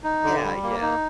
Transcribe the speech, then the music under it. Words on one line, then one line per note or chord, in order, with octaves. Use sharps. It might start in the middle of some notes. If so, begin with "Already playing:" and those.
Yeah. Yeah.
D#4
D3
G3
A#3
D#4